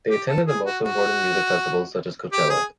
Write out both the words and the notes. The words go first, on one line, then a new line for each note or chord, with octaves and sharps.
They attended the most important music festivals such as Coachella.
G4
A4
G#4
F#4
F#4
G4
G#4